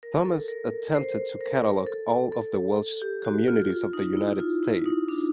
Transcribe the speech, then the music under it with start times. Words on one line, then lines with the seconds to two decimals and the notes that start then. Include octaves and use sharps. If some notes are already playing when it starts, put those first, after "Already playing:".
Thomas attempted to catalogue all of the Welsh communities of the United States.
0.03 A#4
0.25 A4
0.48 A#4
0.95 C5
1.41 A#4
1.86 A4
2.32 A4
3.02 G4
3.25 F#4
3.48 F4
3.70 F4
3.93 D#4
4.17 E4
4.39 F4
4.63 E4
4.86 D#4
5.08 D4